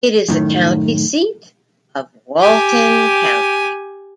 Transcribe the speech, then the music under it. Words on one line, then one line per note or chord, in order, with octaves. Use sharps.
It is the county seat of Walton County.
F#2 A2 D#3
G4 G#5